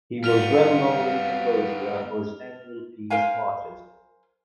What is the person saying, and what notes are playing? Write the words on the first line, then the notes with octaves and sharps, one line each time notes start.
He was well known in Cambodia for his annual peace marches.
G3 B3 F5 F6 F7
A#4 C5 F5 G#5